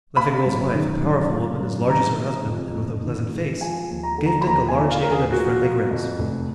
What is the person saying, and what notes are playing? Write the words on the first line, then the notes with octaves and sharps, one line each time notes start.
Leffingwell's wife, a powerful woman, as large as her husband, and with a pleasant face, gave Dick a large hand and a friendly grasp.
A#3 B5
F#2
D#3
F#2
A#3
F#2
D#3 A#5
G#3
F2
F#1
D#3
G#3
F3 G#5
D#2
A#5
D3
A#5
B5
D#2 A#5
G#5
F3
F5
D#2 A#4
G#4
F3 F#4
A#3
F2
F1